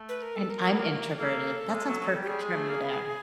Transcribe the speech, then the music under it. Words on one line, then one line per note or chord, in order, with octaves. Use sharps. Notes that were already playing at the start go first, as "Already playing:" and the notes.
And I'm introverted. That sounds perfect for me there.
Already playing: A3
B4
A#4
A4
A#4
A#3
B3
A#3
A#3 A4
G#3
F#3
F#3
G3
G4
G3 G#4
G#3
A3
A#3
B3